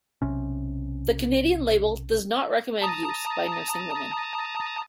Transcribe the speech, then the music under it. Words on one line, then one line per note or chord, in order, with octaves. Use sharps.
The Canadian labeling does not recommend use by nursing women.
B1 C3 C#4
A5 A#5 D#6